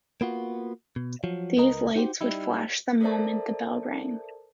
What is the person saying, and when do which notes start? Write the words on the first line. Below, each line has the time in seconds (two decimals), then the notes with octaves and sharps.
These lights would flash the moment the bell rang.
0.21 A#3 B3 F4 F#4
0.96 B2
1.24 F3 F#3
1.57 C#2 A#4 B4 D#5 A#5
1.96 D#4 F#4 G4 B4 C5
2.21 G3 D#4 E4
3.01 A4 A#4 C5 D5 E5 A5